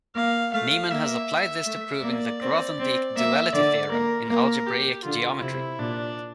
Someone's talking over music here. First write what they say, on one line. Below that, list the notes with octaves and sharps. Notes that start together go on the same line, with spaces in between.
Neeman has applied this to proving the Grothendieck duality theorem in algebraic geometry.
A#3 F5
A3 F5
A#3 E5
A3
A#3 D5
C4
C4
A#3 E5
D3 D5
A#3 A#4
A#3 A#4
G4
D3 F4
C3 E4
A#2 D4